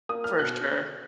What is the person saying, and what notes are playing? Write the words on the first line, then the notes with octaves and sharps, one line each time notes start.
For sure.
A#3 D#6
F6
B2 F#6